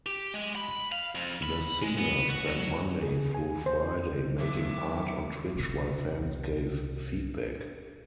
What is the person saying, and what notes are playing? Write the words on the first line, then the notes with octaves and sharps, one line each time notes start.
The singer spent Monday through Friday making art on Twitch while fans gave feedback.
G4
G#3
B5
F5
F2
B5
G#3
B3
F#4
F#3
G#4
G#5
C5
D#3 F#3 E5 D6
C2 C3